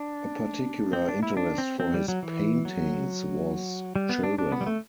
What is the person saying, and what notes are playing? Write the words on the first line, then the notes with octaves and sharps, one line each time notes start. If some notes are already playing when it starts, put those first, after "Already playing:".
A particular interest for his paintings was children.
Already playing: D4
C4
D4
E4
D4
C4
C4
G3
F#3
E3
F#3
G3
B3
D4
D4
B3
G3
A3